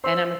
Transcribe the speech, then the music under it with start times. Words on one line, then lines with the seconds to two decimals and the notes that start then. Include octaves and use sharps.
and I'm a
0.04 C5 C6 E6